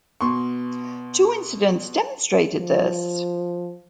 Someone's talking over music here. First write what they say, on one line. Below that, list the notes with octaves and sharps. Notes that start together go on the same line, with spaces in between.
Two incidents demonstrated this.
B2 C6 C#6
F3